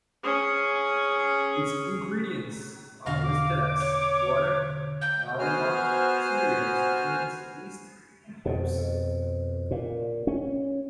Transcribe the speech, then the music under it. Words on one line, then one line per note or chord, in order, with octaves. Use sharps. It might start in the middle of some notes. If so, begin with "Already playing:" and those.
Its ingredients are listed as water, barley malt, cereal grains, yeast, and hops.
C#4 G#4
E2 B2 D3 F5 A#6
D6
C#5
F5 G5 A#5 G6
B3 F#4 C5 G#5 F6
F2 B2
A#2
C#4